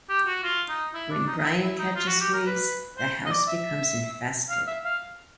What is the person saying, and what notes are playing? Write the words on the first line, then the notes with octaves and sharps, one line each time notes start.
When Brian catches fleas, the house becomes infested.
G4
F#4
F4
D#4
E4
D4
D#4
D#4
E4
E4
D#4
F4
F#4
G4
A#4
B4
C5
D#5
D5
E5
F5
E5
F5